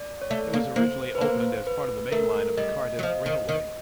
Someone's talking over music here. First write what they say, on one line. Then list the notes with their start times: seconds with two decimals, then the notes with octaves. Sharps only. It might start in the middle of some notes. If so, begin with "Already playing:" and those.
It was originally opened as part of the main line of the Cardiff Railway.
Already playing: D5
0.22 C#5
0.30 A3 D5
0.54 A#3
0.76 A#3 C5
1.15 B4
1.21 A#3 C5
1.67 B4
2.12 A3 A#4
2.57 G3 D#5
2.99 F#3
3.03 F3 D#5
3.26 D#3
3.49 D#3